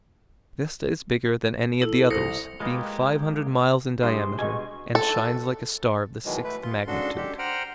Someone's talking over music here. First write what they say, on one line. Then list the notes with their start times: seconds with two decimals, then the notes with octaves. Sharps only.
Vesta is bigger than any of the others, being five hundred miles in diameter, and shines like a star of the sixth magnitude.
1.82 E4 A4
2.10 C2 C5 D#6 A#6 C#7
2.60 G#3 A#3 F4 G4 B4 D#5
4.03 G2 C3 G#4 C5
4.39 B2 G#3 G#5 C#6
4.95 A4
6.25 B2 D#3 E3 F#3 G#3
6.44 A3 B4
6.63 F4 C6
6.87 G#2 C#3 D4 F#4 A4 C6
7.17 G#3 D4 G4 A4
7.39 C5 F#5 G5 A#5 F6